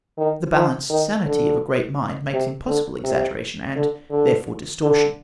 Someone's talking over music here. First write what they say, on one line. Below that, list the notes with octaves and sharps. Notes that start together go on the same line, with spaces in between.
The balanced sanity of a great mind makes impossible exaggeration, and, therefore, distortion.
D#3
F3
D#3
D3
C3
D3
C3
D3
D3
D3